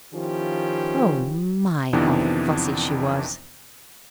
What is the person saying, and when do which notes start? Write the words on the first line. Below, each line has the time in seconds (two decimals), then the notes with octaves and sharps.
Oh my, how fussy she was!
0.13 D#3 F3 C#4 E4 F4 G4
1.93 F2 C3 D#3 E3 B3 D4